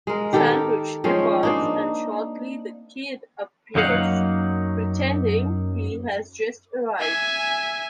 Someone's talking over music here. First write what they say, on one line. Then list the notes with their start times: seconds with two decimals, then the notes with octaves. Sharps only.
Sandridge departs and shortly the Kid appears, pretending he has just arrived.
0.07 G#3 A#4
0.33 D#3 G4 A4 A#4
1.04 F3 G#3 C4 C#4
1.43 A#3 D4 D#4
3.75 F#2 F#3 A#3 D#4 F5 F#5
6.99 E5 G#5